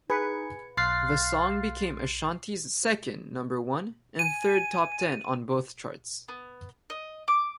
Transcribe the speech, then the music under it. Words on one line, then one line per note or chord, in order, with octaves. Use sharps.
The song became Ashanti's second number one and third top ten on both charts.
D#4 G#4 B4 G#6 C#7
B1 F5 C6 F6 F#6 A6 C7
G#5 D#7
B3
D#5
D6